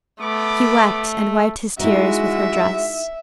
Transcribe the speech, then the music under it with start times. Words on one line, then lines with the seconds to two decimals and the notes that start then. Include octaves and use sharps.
He wept and wiped his tears with her dress.
0.21 A3 B3 B5 D6
1.80 G#3 D#4 E4 F#4 E5